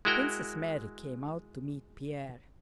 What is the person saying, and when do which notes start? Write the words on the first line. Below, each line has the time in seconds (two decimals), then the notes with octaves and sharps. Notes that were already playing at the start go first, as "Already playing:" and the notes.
Princess Mary came out to meet Pierre.
0.05 G#3 E4 F#4 A#4 G5